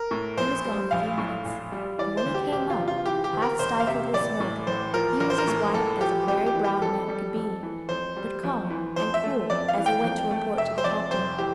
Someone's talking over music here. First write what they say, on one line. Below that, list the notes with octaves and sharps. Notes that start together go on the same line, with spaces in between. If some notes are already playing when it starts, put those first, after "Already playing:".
He was gone a few minutes, and when he came up, half stifled with smoke, he was as white as a very brown man could be, but calm and cool as he went to report to the captain.
Already playing: A#4
A2
A#1 C5
G3
A#1 F5
A2
A#1
G3
E3 D5
C5
D2
G4
E1 G4
F4
C3
F4
E3 G4
G4
D2
A#4
E1 C5
F5
C3 E5
A1 D5
A2
A1 C5
F3 A#4
A1 A#4
C5
A#4
A2
A1 A4
F3 G4
F2 G4
G4
E3
G4
F2 A4
G3
F2
E3
F2 C5
G3
F2
E3
F2 C5
E5
A3
F2 D5
F5
E3
G5
F2
A3
F1 E5
C5
F2 D5
F1 C5
E3 G4